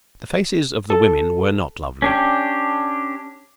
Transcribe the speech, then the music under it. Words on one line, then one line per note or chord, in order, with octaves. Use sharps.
The faces of the women were not lovely.
A4
C#4 D4 G4